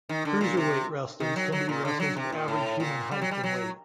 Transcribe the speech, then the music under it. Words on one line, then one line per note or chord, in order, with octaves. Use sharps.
Cruiserweight wrestlers tend to be wrestlers of average human height and weight.
D#3
D3
A#2
C3
D#3
F#3
F#3
A#2
D3
F#3
C3
A#2
A2
A#2
G3
F#3
G3
F#3